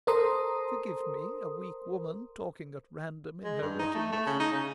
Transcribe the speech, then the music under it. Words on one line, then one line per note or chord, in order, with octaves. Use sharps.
Forgive me, a weak woman, talking at random in her wretchedness.
A4 A#4 C5 A#5 C6 D#6
G#3
G2
D#4
A3
A3
C#3
D#4
C#3